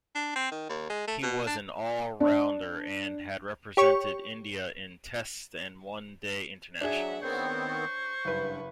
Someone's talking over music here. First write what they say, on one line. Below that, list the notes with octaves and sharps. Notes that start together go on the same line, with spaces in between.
He was an all-rounder and had represented India in Tests and One Day Internationals.
D4
C4
D#3
D#2
G#3
A3
B2
D4
D4
G4 C#5 C#6
F#3 D4 G#4 E5 F#5
D#3 B3 C4 C5 C#5
C#6
F#1 G2 B4